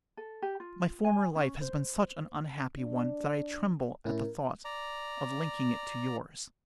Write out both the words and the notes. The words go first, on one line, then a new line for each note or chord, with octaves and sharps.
'My former life has been such an unhappy one, that I tremble at the thought of linking it to yours.
A4
G4
F4
G#5
C#4
C5
D4
A2 C#4 E4 A#4
D5 A#5